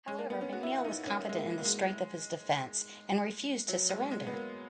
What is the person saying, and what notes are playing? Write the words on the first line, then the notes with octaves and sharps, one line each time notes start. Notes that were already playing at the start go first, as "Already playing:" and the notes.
However, McNeil was confident in the strength of his defense and refused to surrender.
G#3
A#3
B3
C#4
F#4
E4
E4
D#4
C#4
G#3
A#3
A#3
G#3
F#3
G#3
G#3
B3
A#3